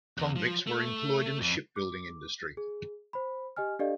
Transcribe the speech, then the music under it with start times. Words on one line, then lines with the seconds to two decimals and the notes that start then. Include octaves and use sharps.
Convicts were employed in the shipbuilding industry.
0.18 E2
0.36 F3
0.67 A3
1.41 F2
1.76 D6
2.57 G#4
3.13 C5 B5
3.56 G4 D#5 G#5 F6
3.79 D4 G4 A4 D5 D#5 F5